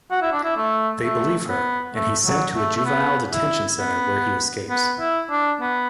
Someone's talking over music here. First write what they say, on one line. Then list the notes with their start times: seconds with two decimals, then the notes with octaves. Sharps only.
They believe her, and he's sent to a juvenile detention center where he escapes.
0.11 F#4
0.22 E4
0.32 D4
0.43 E4
0.57 A3
1.03 A3
1.48 B3
1.94 A3
2.25 F#3
2.55 A3
2.76 A3
2.86 B3
3.32 E4
3.78 B3
4.70 B3
5.00 E4
5.30 D4
5.61 B3